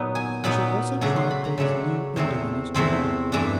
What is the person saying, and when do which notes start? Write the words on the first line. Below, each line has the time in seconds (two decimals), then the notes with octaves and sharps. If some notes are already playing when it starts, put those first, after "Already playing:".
We shall also try Day's new under-runners to-morrow.
Already playing: A#2 F#3 B3 D#4 A#5
0.15 G#5
0.44 A#2 F#3 B3 D#4 B5
1.01 C#3 F#3 A3 D4 A#5
1.16 C6
1.31 B5
1.45 A#5
1.58 C#3 F#3 A3 D4
2.16 E2 C3 F3 A3 C4
2.74 E2 C3 F3 A3 C4 B5
3.32 G2 E3 A3 D4 A#5